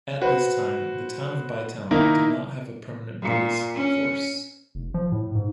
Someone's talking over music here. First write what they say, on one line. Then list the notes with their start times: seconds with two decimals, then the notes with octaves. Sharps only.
At this time, the town of Bytown did not have a permanent police force.
0.22 F#4 B4 C5
1.91 D#3 A#3 D#4 E4 A#4
3.23 A#2
3.75 C#4
4.75 F1
4.94 F3
5.12 A2
5.35 G#2